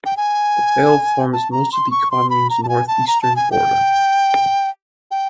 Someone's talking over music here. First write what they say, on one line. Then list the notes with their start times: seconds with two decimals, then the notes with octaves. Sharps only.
The Veyle forms most of the commune's northeastern border.
0.06 G5
0.17 G#5
1.33 A5
1.52 A#5
1.72 C6
1.91 C#6
2.11 C6
2.30 B5
2.50 A#5
2.63 A5
2.69 G#5
2.88 A5
3.08 A#5
3.22 A5
3.36 G#5
3.52 G5
5.11 G5